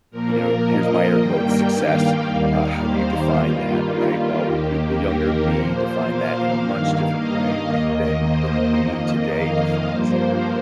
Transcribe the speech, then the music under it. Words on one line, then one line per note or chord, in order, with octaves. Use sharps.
you know, here's my air quotes, "Success," uh, how do you define that, right? Well, the the younger me define that in a much different way than than the me today defines it,
A#2 F3 A#3 A#4
D#5
G2 D#3 G3 A#3 G5
F5
D#2 D#3 G3 A#3 F5
C5
G2 D#3 G3 A#3 F4
F4
D#2 D#3 A#3 G4
A#4
A#2 F3 A#3 C5
F5
G2 D#3 A#3 F5
D#5
D#2 D#3 A#3 D#5
C5
F2 D#3 A#3 D#5
F5
G2 F3 A#3 C5